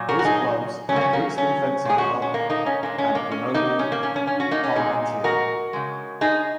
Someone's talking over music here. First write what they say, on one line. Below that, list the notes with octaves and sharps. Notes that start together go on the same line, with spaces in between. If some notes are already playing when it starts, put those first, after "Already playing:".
His clubs are Brixton Fencing Club and Grenoble Parmentier.
Already playing: A#2 F#3
F#4 A#4
F#4
D#4 G#4
C#3 F#3 A#3 C#4
C#4
A#3
C#4
A#2 G#3 G#4
C#4 F#4
C#4
A#3
A#3 D#4
C#4
A#2 G#3 A#3
C#4
A#3
C#4
A#3 D#4
A#2 F#3 C#4
A#3
C#4
C#4
C#4
C#4 F#4
A#3 D#4
C#4
A#2 G#3 D#4 G#4
F#4 A#4
C#3 G#3
D#4 G#4